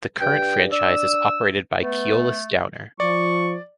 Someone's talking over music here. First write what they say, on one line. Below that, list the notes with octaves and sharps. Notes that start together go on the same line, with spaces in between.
The current franchise is operated by Keolis Downer.
G2 G5
D4 E6
A3 B3
F3 D5 C#6